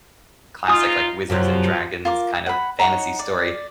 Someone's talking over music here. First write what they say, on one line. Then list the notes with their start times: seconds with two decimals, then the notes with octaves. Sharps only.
classic, like, wizards and dragons kind of fantasy story,
0.68 D#4 F4 G#5 D#6
1.30 F#2 C3 F3 F#3
2.05 F4 A#4 D6
2.46 F#5 B5
2.79 D#4 C#5 F#5 A#5
3.19 D5